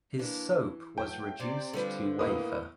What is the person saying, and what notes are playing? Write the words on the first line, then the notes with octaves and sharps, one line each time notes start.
His soap was reduced to wafer.
E3 A#3 D4
F#3 A3 G5
C3 C5 D5
D3 F3 G3 B4
A2 D#3 A#3 B3 D#6